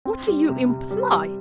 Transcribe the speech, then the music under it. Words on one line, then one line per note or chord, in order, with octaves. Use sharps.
What do you imply?
C4
G3
C3
C3
G3
G3